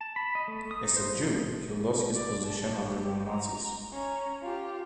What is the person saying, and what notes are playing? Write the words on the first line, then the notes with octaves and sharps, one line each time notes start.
As a Jew, he lost his position under the Nazis.
A5
B5
D#5
A3
D#6
D#4
C5
F3
D5
A5
G4
A#5
C#4 A#5
F4 G4